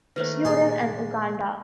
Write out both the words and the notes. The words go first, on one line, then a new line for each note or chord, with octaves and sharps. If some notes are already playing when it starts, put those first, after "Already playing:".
Sudan, and Uganda.
D#3 A3 A#3 B4 C5
A#2 D4 G4 G#4 G#5 C6